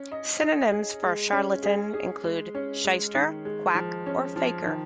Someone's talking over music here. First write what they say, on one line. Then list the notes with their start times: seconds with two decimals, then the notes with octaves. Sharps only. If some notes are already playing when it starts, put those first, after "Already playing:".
Synonyms for "charlatan" include "shyster", "quack", or "faker".
Already playing: C#4
0.12 D#5
0.41 D#5
0.71 G#4
1.03 G#3
1.32 C#4
1.64 G#4
1.94 G#4
2.24 G#3
2.55 C#4
2.85 G#3
3.14 D#3
3.45 G#3
3.75 F3
4.06 C#4
4.36 F3
4.66 D#3